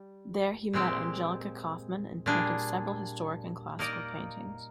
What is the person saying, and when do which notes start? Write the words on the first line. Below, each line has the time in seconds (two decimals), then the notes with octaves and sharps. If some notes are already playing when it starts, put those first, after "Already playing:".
There he met Angelica Kauffman, and painted several historic and classical paintings.
Already playing: G3
0.73 A#2 G#3 C4 G4
2.26 A#2 G3 D4 G#4
3.79 A#3 D#4 A#4 D5